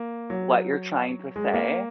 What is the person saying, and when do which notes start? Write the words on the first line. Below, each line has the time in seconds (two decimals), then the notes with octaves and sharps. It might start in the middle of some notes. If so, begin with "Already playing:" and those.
what you're trying to say.
Already playing: A#3
0.30 F#3
1.36 G#3
1.54 A#3